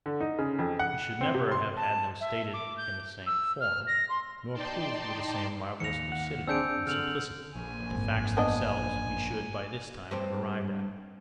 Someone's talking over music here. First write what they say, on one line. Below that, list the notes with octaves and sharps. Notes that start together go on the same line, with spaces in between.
We should never have had them stated in the same form, nor proved with the same marvellous lucidity and simplicity, but the facts themselves we should by this time have arrived at.
D3
D#4
C#3
F2
F#5
C4
C3
C6
A5
E5
D6
G6
E6
F6
A#6
C6
D#4 D5 G5 A5 C6
D#2 A#6 C#7 F7
F#5
C4 D4 G#4 E6 G6 D7
D3 F6 F7 F#7
A#1 G#5
G#1 F#2
B3 D4 D#5
G2 C4